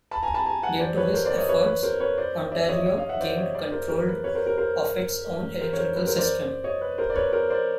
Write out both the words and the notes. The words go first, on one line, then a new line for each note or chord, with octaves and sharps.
Due to his efforts, Ontario gained controlled of its own electrical system.
A5 B5
G#5 A#5
A5 B5
G#5 A#5
F#5 G#5
C5 D5
B4 C#5
A#4 C5
C5 D5
C#5 D#5
B4 C#5
B4
A#4 C5
B4 C#5
C5 D5
D5 E5
C#5 D#5
C#5 D#5
D#5 F5
E5 F#5
C5 D5
C#5 D#5
C5 D5
A#4 C5
A#4
B4
B4 C#5
A#4 C5
A#4
A#4 C5
A#4 C5
C#5
A#4 C5
B4
A#4 C5
C5 D5
C#5 D#5
B4
A#4 C5
D5
B4 C#5
A#4 C5
C5 D5